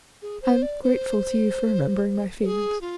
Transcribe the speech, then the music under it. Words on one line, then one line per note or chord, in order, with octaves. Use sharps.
"I am grateful to you for remembering my feelings."
G#4
C5
D5
C5
C5
G#4
F4